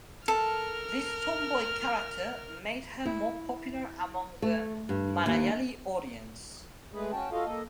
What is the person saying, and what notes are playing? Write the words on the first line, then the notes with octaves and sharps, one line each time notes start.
This tomboy character made her more popular among the Malayali audience.
A4 A#4 F6
E4
A3
G2
D#2
G#3 A3 G#4 B4
C#4 F#4 G5 A5
F4 F#4 A4 D#5 F5
A#3 A4 D#5